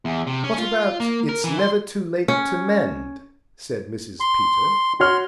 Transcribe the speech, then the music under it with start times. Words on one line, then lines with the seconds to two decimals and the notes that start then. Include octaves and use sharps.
"What about 'It's never too late to mend?'" said Mrs. Peter.
0.05 E2
0.27 C3
0.44 C#4
0.58 F4
1.00 A#3
1.29 A#4
1.44 E3
1.59 C6
2.28 C#4
4.20 C6
5.00 F#4 C#5 C6 F6